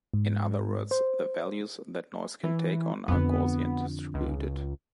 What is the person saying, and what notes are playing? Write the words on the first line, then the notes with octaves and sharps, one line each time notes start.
In other words, the values that the noise can take on are Gaussian-distributed.
G#2
C5
E3
F2 D3 B3
C#2